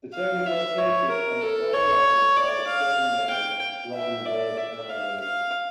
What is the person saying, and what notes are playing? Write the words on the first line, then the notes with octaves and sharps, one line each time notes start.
The town is located on the former island by the same name: Rozenburg Island.
F5
E5
C#5
A#4
A4
C#5
D5
F5
G5
E5
D5
E5
F5
F5